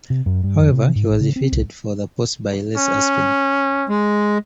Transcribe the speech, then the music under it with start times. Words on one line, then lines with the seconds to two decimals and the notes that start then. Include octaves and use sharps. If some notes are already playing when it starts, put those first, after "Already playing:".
However, he was defeated for the post by Les Aspin.
0.10 C3
0.26 F#2
0.43 G2
0.58 F2
0.72 C3
0.95 G#2
1.09 A1
1.21 C#3
1.36 C4
1.52 C2
2.77 C#4
3.89 G#3